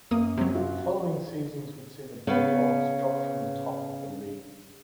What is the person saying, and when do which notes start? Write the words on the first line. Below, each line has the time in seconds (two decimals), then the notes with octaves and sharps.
The following seasons would see the Bulldogs drop from the top of the league.
0.11 F#2 A#3 D#6
0.38 C3 F#3
0.55 F4 F#4
2.27 C#3 B3